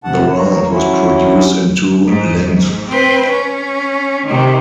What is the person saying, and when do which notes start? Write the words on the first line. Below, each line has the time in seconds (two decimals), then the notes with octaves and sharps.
The round was produced in two lengths.
0.04 D#2 C3 F#5 A5
0.34 A#3 C#5
0.70 F#3 C#4 E4
2.07 G#2
2.46 G#2
2.89 C4 B4
3.30 C#4
4.26 C3 D#3